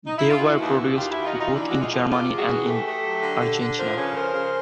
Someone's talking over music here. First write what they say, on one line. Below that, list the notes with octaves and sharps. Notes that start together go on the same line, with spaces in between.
They were produced both in Germany and in Argentina.
D#4
E4
F4
E3 E4 F#4
D#2
D#2
D#2 F4 G4
E4 F#4
D#2
D#4 F4
D#2 F#4
D#4 F4
E3 D4 E4
G#3 F#4
D#4 F4
F2
C3 F4 G4
G#3
F#4 G#4
E3
A3 G4 A4
A3
F#3
D3
D3
D3
F3 A#4 C5
C#3 B4 C#5
F3 A#4 C5
C#3